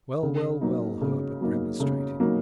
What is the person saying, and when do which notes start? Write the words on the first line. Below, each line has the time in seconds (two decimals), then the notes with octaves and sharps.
"Well, well, well!" Herbert remonstrated.
0.23 C#3
0.61 F#3 A#3 D#4
1.01 C#3
1.41 F#3 A#3 D#4
1.80 C#3
2.20 F#3 A#3 D#4